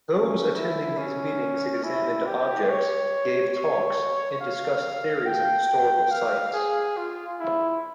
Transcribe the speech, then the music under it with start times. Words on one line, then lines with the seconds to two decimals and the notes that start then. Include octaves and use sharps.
Those attending these meetings examined objects, gave talks, and discussed theories of historical sites.
0.13 C#4
0.55 E4
0.98 C#4
1.84 E4
2.26 G4
2.69 C#5
3.55 C#5
4.41 F5
5.26 G5
5.69 G5
6.11 F5
6.54 G#4
6.97 F4
7.40 E4